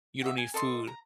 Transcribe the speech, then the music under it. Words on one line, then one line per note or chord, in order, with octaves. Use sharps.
You don't need food,
F#4 D#5 E5
G#5
A4 D#5 C6
A#5